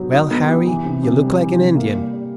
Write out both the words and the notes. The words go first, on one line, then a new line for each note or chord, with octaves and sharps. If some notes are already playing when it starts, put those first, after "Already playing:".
Well, Harry, you look like an Indian.
Already playing: F#3 B3 G4
D#4
B3
G4
E3
C3
C3
G3
E3
C3
A#3
G3
G3